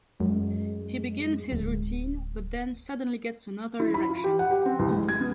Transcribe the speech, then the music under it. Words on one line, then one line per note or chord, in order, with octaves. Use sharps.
He begins his routine, but then suddenly gets another erection.
F#2 G#3
D1
E4
B5
F4
G4
F#5
G4
C4
C2
G#3
G#6
B3